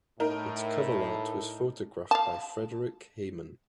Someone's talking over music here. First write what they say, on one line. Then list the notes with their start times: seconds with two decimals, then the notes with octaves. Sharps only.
Its cover art was photographed by Frederik Heyman.
0.20 A2 D#4 A#4
2.11 F5 A5